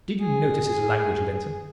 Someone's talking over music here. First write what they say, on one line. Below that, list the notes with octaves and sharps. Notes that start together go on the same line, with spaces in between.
Did you notice his language, Linton?
G#4